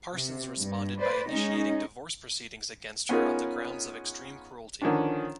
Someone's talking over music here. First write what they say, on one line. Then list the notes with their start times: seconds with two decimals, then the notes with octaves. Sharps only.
Parsons responded by initiating divorce proceedings against her on the grounds of "extreme cruelty".
0.15 C3
0.57 G2
0.98 B4 C5 D5
1.30 G#3 C#4 D#4
3.09 B3 C#4 D#4 F4 G#4 A#4
4.82 D3 D#3 F3 C#4 D4